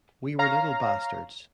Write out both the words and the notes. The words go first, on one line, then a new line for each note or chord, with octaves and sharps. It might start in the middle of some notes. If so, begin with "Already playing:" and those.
We were little bastards.
C#5 F5 A#5 F6 A#6